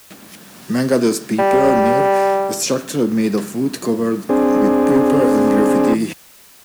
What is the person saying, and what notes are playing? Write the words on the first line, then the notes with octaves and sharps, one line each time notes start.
Man gathers paper near a structure made of wood covered with paper and graffiti.
G3
C4 D4 G#4